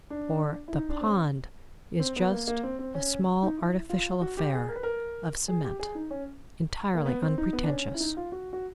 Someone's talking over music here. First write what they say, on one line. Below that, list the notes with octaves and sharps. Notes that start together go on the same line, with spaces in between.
For "the pond" is just a small artificial affair of cement, entirely unpretentious.
D4
E4
D#4
D4
C4
C#4
C4
B3
A#3
A#3
C4
C4
C#4
D#4
E4
F4
F#4
G4
G#4
A#4
B4
A#4
G#4
G4
G#4
D#4
C#4
A#3
B3
C4
D#4
B3
D4
C#4
E4
D#4
F4
F#4
F#4